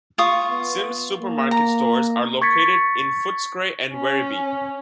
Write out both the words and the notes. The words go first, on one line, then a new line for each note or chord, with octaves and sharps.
Sims Supermarket stores are located in Footscray and Werribee.
F4 C#6 D#6
B3
A#3
A#5
C#6 G#6 A6 B6 C#7
C#4